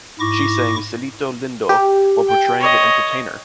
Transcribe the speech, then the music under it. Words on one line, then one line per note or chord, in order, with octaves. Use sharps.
She sang "Cielito Lindo" while portraying an entertainer.
G#2 E4 C#6 D6 A#6
G4
G5
C#5 D#5